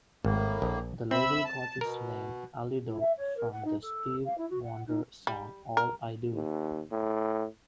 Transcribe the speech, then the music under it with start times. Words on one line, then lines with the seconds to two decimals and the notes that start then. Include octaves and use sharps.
The label got its name "Allido" from the Stevie Wonder song "All I Do".
0.25 G#1 A2 A#3
0.62 A#1
1.11 C4 E5 B5 E6
1.45 A5
1.81 B2 A#4
2.87 E4
3.00 E5
3.17 C#5
3.36 A#4
3.51 F#5
3.64 D#4
3.81 A4
4.25 F5
4.37 E4
4.50 F#4
4.62 F#5
4.87 D#4
5.27 G3
5.77 A#4
6.33 D#2
6.92 A2